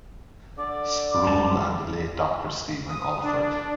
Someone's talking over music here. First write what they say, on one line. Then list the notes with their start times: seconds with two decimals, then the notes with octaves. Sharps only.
Sproul and the late Doctor Stephen Olford.
0.58 D3 D5 D6
1.27 D#2 G#2 A5
2.89 D#6
3.23 D4